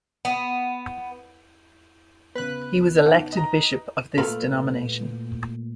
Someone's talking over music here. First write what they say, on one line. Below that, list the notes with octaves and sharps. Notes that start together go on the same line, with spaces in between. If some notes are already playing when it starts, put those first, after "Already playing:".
He was elected bishop of this denomination.
B3
C#3 B3 B4 F#6
D#4 F#5 A5
D#5 A#5
A#2 A3 A4 B4 F5 B5